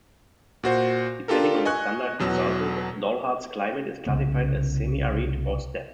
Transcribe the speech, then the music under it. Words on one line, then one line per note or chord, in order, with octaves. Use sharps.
Depending on the standard consulted, Dalhart's climate is classified as "semi-arid" or "steppe".
A#2 F#4 C5
D4 F4 G4 A4 A#4
D#5 G#5 C#6 F#6
E2 B2 F#3 E6
C2 C#3 B3